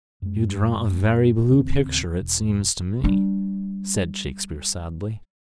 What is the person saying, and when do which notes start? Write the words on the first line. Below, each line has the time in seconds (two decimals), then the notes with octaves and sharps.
"You draw a very blue picture, it seems to me," said Shakespeare, sadly.
0.22 F#2 G#3
1.51 D1 D#2 C#3 C4
2.21 E1
3.04 G3 D4